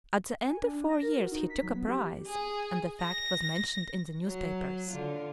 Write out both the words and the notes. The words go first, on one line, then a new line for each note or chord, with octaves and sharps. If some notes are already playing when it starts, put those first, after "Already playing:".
At the end of four years he took a prize, and the fact was mentioned in the newspapers.
G#5
D4
A#6
A#4
F#4
D#4
B6
F#3
B3
G4
G#4
A#6
F#3
D3 F4